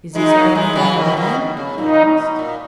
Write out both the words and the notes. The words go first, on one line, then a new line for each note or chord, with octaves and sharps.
"Is this Ben Gunn a man?" he asked.
E3 G#3 D#4
F#3 A#3
E3 G#3
C#3 E3
B2 D#3
B2 D#3
C#3
A#2 D#4
B2
B2
A#2